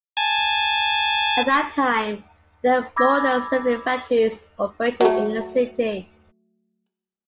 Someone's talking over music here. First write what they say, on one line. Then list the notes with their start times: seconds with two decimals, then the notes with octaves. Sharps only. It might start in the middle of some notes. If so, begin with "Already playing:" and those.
At that time, there were more than seventy factories operating in the city.
0.17 G#5 A5
2.96 B5 D6 E6 G#6 A#6
5.01 F#3 A3